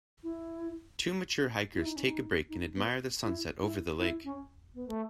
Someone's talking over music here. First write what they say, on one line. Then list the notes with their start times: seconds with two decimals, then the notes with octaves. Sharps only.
Two mature hikers take a break and admire the sunset over the lake.
0.23 E4
1.73 E4
1.85 D#4
1.96 C#4
2.07 D#4
2.49 D#4
2.74 B3
3.23 E4
3.61 E4
3.99 E4
4.24 C#4
4.74 B3
4.88 A3